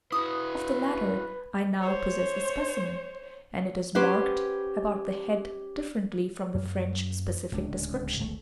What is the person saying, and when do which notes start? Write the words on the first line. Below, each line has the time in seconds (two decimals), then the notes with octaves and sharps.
Of the latter I now possess a specimen, and it is marked about the head differently from the French specific description.
0.12 E4 F#4 B4 D#6
1.81 C5 C#5
3.95 C#4 G4 B4 C5 F#5
6.54 F#2 F#3 A#3
7.52 D1 C#2 C3 D4
8.17 D1 G#1 A3